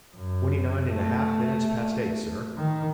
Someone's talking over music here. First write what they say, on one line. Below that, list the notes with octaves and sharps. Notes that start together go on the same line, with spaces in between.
"Twenty-nine and a half minutes past eight, sir."
F#2
A3
D#3